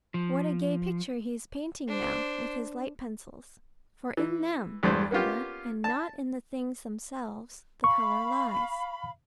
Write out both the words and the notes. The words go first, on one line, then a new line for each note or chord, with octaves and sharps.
What a gay picture he is painting now, with his light-pencils; for in them, remember, and not in the things themselves the colour lies.
F3
D4 C5
E3
E2 G2 A3 C5
A#3 B3 C#4 F4 G4
A5
F5 B5 C#6